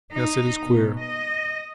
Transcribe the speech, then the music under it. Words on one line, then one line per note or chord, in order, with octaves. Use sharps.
Yes, it is queer.
D#4
B2
D#5